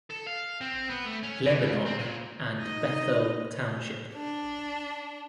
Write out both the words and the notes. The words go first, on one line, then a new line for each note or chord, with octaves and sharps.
Lebanon, and Bethel Township.
A4
F5
C4
B3
A3
C#4
E3
C#2
C4
A#2
D#4 D#5
D4